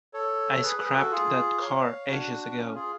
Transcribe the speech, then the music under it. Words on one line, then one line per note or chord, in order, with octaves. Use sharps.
I scrapped that car ages ago.
A4 C#5
G#4 B4
G#4 B4
F#4 A4
F4 G#4
C#5 F5
D4 F#4
C#4
F4 G#4